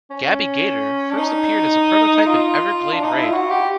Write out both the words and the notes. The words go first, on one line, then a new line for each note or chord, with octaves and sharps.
Gabby Gator first appeared as a prototype in "Everglade Raid".
C#4
D4
D#4
F4
D4
D#4
E4
F4
F#4
G4